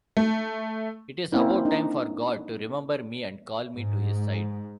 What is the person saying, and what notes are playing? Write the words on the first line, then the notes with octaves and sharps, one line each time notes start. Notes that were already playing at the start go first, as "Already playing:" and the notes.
It's about time for God to remember me and call me to his side.
A3
A#3 C4 C#4 E4
D4 D#4
G#2